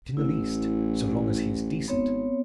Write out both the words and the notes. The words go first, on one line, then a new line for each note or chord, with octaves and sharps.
"Not in the least, so long as he is decent."
A1 E4
G#1 B3 C4 C#5